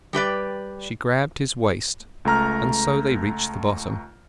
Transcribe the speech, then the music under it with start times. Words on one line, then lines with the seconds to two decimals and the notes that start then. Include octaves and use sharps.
She grasped his waist, and so they reached the bottom.
0.13 G3 G4 B4 D5
2.25 C#2 A3 A#5 F6